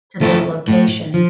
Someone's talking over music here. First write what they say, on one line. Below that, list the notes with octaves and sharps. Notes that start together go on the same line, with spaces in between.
to this location,"
F3 A3 E4 A4
A2
F3